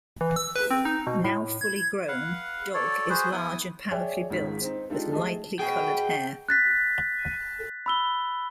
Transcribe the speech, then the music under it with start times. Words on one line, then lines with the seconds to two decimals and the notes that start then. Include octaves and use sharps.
Now fully grown, Dog is large and powerfully built with lightly colored hair.
0.21 E3
0.36 E6
0.56 B4
0.71 C4
0.85 D#4
1.07 B2
1.24 A2
1.61 G#6
1.76 G#6
2.08 B4 F5 F#5
2.74 F#4 A4 C#5 D5
3.10 F#4 G#4 B4 C5
3.32 B3 E4 D#6
3.91 G#4 C#5 D5 E5 G5 G#5
4.30 G#1 C#2 D#3 B6
4.61 C4 D#4
4.90 G#3 D4 D#4 F4 G4 A4
5.12 A3 G4 G#4 D#5 A5
5.59 B2 G#4 G5
6.49 F#6 A6 B6
7.86 B5 E6 G7